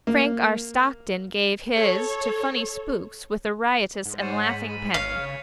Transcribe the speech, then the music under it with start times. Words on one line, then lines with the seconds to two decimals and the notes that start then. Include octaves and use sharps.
Frank R. Stockton gave his to funny spooks with a riotous and laughing pen.
0.07 A#3
1.75 A4 C#5
4.06 G#2
4.21 C5 C#5 F#5 A6 D#7 E7
4.47 B6 F#7
4.69 B5 D#7
4.94 G#1 C#5 F5
5.16 C#3